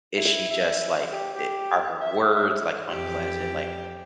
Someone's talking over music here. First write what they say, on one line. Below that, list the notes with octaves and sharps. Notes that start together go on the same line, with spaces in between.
is she just, like I are her words, like, unpleasant? Like,
E4
E5
G4
G4
E5
E5
F2 E3 G4